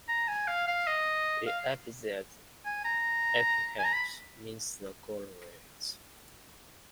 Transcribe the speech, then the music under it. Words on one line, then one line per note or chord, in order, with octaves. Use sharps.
The epithet "Epiphanes" means "the Glorious".
A#5
G#5
F5
F5
D#5
F5
G#5
A#5
G#5
A#5
B5